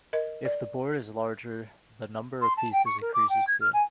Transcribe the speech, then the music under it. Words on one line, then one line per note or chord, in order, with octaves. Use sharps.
If the board is larger the number of pieces increases too.
A#4 D#5
D5
C6
A5
G5
C#6
A#4
D6
G5
G#6
F6
G#5